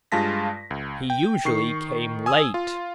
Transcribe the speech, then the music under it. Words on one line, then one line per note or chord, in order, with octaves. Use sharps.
He usually came late.
G2 G#3 F4 A5 A#6 B6
C#2
G5
D#3 C#6 C7
G#5 D#6 E6
F4